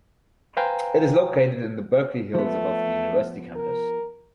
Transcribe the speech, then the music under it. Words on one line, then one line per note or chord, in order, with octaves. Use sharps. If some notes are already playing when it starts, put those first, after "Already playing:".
It is located in the Berkeley Hills above the university campus.
B4 C5 F5 G5 G#5 A#5
F3 A3 B3
A#4